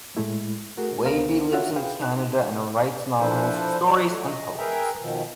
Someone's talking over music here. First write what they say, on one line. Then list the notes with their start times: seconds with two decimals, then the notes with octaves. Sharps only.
Weibe lives in Canada and writes novels, stories and poems.
0.17 A2 G#3 A3 E4
0.77 A3 F#4 G#4 A#4
1.05 C#2 B3 A#4 C5 F5
1.53 F4 F#4 C#5 E5 F#5
1.76 G#4 B4 F5 G5
2.00 D#4 F#6
3.19 F3 D4 E4 A4 B4 C5
3.86 D#4 F#4 C5 D5
4.06 F#3 A3
4.24 D#5
4.58 G#4 A#4 B4 E5 G5 A#5
5.00 B2 D#3 F3